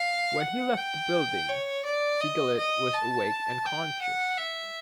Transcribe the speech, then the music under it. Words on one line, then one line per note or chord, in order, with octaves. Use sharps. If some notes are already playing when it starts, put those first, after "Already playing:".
When he left the building, Sigalet was awake and conscious.
Already playing: F5
F#5
G5
C#5
D5
D#5
D#5
A5
G5
F#5
E5